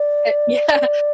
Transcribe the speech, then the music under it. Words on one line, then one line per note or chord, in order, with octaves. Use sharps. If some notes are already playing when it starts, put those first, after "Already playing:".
Eh yeah,
Already playing: D5
D5